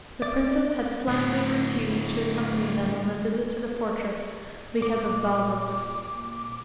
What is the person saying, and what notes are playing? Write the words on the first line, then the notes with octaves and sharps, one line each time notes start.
The princess had flatly refused to accompany them on the visit to the fortress because of Baldos.
D5
A2 D3
A#2 D6